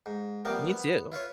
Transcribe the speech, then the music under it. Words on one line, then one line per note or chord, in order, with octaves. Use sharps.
Me too.
G#2
C3 F3 G3 A#3 B3
B3
E4 F4 B4 C#5